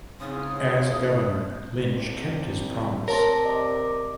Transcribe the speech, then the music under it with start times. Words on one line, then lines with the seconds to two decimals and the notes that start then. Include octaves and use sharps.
As governor, Lynch kept his promise.
0.20 G#2 C#3 C4 E4 D#6
1.92 C2
3.08 C3 A#4 C#5 A5 C6
3.44 D5 D#5 D6